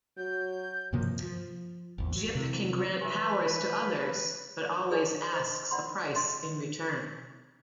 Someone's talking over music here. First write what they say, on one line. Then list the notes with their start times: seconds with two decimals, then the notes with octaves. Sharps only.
Jip can grant powers to others, but always asks a price in return.
0.17 F#3 G6
0.93 G2 C3 F3 A#3
1.23 F3
1.98 G#1 E2
2.16 F#3
2.35 C3 E3
3.01 E3 G4 B4 E5
4.91 G#4 D5 D#5 G#5
5.33 C5 D#5
5.71 D5 F#5 B5 C6
6.15 D#5 C6